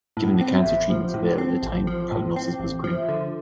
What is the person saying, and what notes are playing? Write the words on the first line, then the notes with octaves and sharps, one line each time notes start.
Given the cancer treatments available at the time, the prognosis was grim.
A2 B3
D4
C4
E4
A1
F4
F3 F4
G4
A2
A4
C4
A1 D5
F3 C5
A2 C5
C4 C5
D5
A1
D5
F3
E5
D3 D5